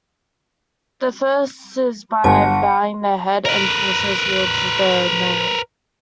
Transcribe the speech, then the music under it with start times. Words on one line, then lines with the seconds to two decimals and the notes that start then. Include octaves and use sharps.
The first is by bowing their head and torso toward the male.
2.24 G1 F#5 A5
3.45 A#4 B4